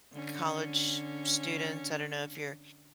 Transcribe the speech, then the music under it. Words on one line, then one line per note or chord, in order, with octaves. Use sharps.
college students I don't know if you're,
D3 C#4